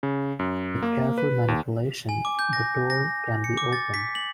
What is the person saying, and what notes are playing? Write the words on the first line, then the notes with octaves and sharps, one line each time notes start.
With careful manipulation, the door can be opened.
C#3
F#2
A#3
B4
D#2
G#5
D6
G6
A#6
A#6
C#7
D6
A6
B6
F#7